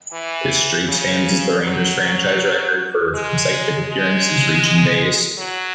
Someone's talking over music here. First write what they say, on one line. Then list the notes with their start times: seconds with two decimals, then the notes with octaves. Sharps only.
This streak stands as the Rangers franchise record for consecutive appearances reaching base.
0.13 E3
0.89 C#3
1.63 F#3
3.14 G#3
3.89 G#3
5.38 F#3